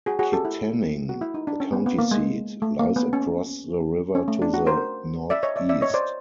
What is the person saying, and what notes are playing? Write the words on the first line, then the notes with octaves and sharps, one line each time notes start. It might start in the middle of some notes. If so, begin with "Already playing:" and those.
Kittanning, the county seat, lies across the river to the northeast.
F#4 G#4
F#4 G#4
G4 A4
E4
F#4
E4
D#4
D4
C#4
B3
B3
A#3
G#3
A3
A#3
B3
C#4
C#4
A3
D4
F#4
A#4 C5
D5 E5
C#5 D#5
D5 E5
D5 E5
C#5 D#5
C5 D5